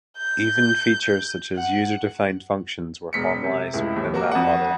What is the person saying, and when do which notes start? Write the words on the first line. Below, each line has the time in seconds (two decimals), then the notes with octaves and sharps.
Even features such as user-defined functions were formalized within that model.
0.17 G6
1.56 F#5
3.13 E1 B6 C#7
3.44 C3
3.74 C#2 A2
3.96 D#2
4.14 A#3 F#4 A#4
4.32 F2 F#5